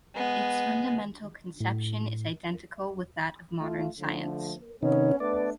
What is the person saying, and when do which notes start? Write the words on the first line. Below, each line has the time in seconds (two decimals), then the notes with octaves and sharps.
It's fundamental conception is identical with that of modern science.
0.15 G#3 B3
1.61 A2
3.60 A3 F4
4.00 D3 F3 A3
4.83 C3 D#3 B3 C#4 D#4 C#5
5.20 A3 B3 D4 B4 D5